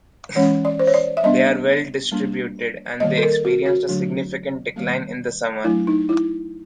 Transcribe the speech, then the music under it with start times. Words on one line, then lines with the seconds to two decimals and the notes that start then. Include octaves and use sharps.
They are well distributed, and they experience a significant decline in the summer.
0.35 E3 G#3 C#4 C#5
0.65 D5
0.79 C5
0.87 C#5
0.94 D5
1.17 E5
1.23 G3 B3 D4 D#5
2.12 G3 A#3 D4
3.00 D#3 G3 A#3 D#5
3.18 A4
3.23 A#4
3.45 F#4
3.66 F#4
3.88 D3 F#3 A3 D4
4.76 D#3 G3 A#3
5.64 F#3 A3 D4 E4
5.87 D#4
6.09 E4